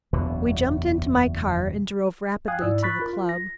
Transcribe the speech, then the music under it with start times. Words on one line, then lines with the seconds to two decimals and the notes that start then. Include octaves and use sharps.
We jumped into my car and drove rapidly to the club.
0.13 F#1 E2 B2 D3
2.48 F5 G5 G#5 D#6 F#6 G#6
2.61 G#2 E4 D5 E6
2.83 B5 C#6 F#6 A6 B6
3.00 F4 A#4
3.13 F4
3.29 A#6